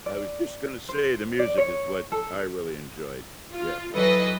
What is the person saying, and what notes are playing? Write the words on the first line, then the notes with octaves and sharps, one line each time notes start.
I was just gonna say, the music is what I really enjoyed. Yeah.
D5
C5
D5
C#5
A4
F4
E3 F#3 A4 B4 D#5